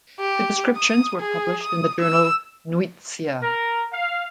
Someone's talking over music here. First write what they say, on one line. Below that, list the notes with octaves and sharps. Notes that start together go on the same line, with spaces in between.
The descriptions were published in the journal "Nuytsia".
G4
D#6
G#4
D#6
E6
A#4
F5